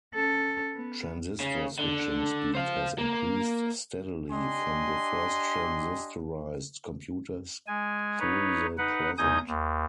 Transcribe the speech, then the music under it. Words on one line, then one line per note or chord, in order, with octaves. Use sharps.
Transistor switching speed has increased steadily from the first transistorized computers through the present.
C#4 A4
B3
C#3
D3
C5 F5
A#3
D4 G4 D#5 G#5 C6
G#3 G#5
D#4 B4 C#5
D#4 B4 F#5
E2 D#4 G#5 D#6 G6
D#2